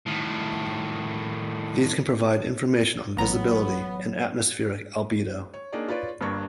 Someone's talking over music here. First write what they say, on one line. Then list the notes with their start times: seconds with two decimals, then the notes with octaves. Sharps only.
These can provide information on visibility and atmospheric albedo.
0.07 A2 D#3
3.17 A1 F#3 B3 C#5 A#5
5.54 C#5
5.72 A#3 D4 D#4 G#4 C#5 D5
5.88 F4 B4 C#5 D5
6.21 G1 G2 A#3 D4 C#6 G#6